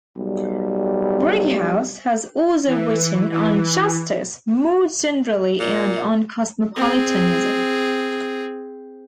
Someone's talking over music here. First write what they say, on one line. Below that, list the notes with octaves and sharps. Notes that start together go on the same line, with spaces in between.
Brighouse has also written on justice more generally and on cosmopolitanism.
B1 G3
E3
E3
A#2
C4 G#4